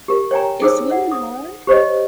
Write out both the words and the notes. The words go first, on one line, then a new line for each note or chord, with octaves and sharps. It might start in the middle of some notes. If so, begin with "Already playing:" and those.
Is swimming hard?
G4 A#4
C#5 G5 G#5 A#5
D#4 G#4 A4 C5 C#5 E6
F#5
D#6
G4 C5 C#5 D#5